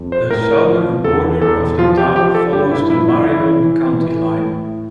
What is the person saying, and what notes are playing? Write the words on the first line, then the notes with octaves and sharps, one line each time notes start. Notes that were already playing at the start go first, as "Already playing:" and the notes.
The southern border of the town follows the Marion County line.
Already playing: F2
C5
A2 A#4
F3
E2 A4
E2 A4
F3 F4
G4
F3 G4
A4
G2 G4
E4
F3 E4
E4
E3 E4
E3
E3
A2